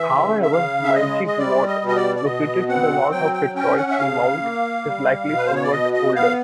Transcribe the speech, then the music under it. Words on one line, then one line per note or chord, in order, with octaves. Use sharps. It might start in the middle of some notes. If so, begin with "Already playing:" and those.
However, Meiji Guyot, located to the north of Detroit Seamount, is likely somewhat older.
Already playing: E3 E5
C#3
E5
C#3 F5
E5
G#3 D#5
D#5
G3 D5
D#5
B2
D#5
D5
D5
B2 D#5
C4 F#5
F#3 G5
G5
C#4 G5
F#5
E5
C#3 F5
A#3
G3
B2
B4
C5
C#5
D5
B2 D#5
D#5
B3 F5